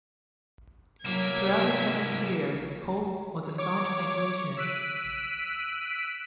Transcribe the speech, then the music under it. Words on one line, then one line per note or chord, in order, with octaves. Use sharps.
Throughout his Senate career, Holt was a staunch isolationist.
C2 F#3 A#3 G#6 B6
C#5 D6
E6 F#6 B6 D7 D#7